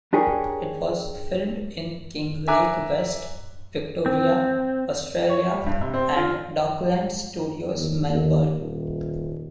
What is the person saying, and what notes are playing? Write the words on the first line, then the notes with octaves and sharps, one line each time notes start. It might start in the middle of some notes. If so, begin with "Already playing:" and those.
It was filmed in Kinglake West, Victoria, Australia and Docklands Studios Melbourne.
D4 G4 G#4 A#4 C#5
E5 G#5 A#5 D6 F#6
C4
C#5
G3
G2
C3
C4
F4
D#2
D#2
D#1